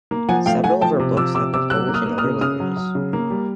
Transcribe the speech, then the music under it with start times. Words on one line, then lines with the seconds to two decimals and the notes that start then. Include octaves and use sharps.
Several of her books have been published in other languages.
0.11 A#3
0.29 F3 F#5 G#5
0.46 A3 F5 G5
0.64 A3 F#5 G#5
0.81 F3 G5 A5
0.99 C3
1.17 F3 D6 E6
1.35 C3 D6 E6
1.54 C3 D6 E6
1.70 F#3 E6 F#6
1.88 A#3
1.94 D#6 F6
2.06 A#3
2.18 D#6 F6
2.24 C#3
2.41 C#3 D#6 F6
2.60 F#3
2.77 F#3
2.95 C#3
3.13 A#3
3.30 G3